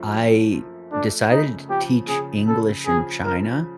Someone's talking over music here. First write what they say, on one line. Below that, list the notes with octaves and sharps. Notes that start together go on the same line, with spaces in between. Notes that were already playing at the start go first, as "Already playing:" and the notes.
I decided to teach English in China,
Already playing: F#2 F3 A3
F3
F3
A3 D4
C#3 D#4
F3 G4
C#3 G#4
C#3 A4
F3 G#4
F3 A#4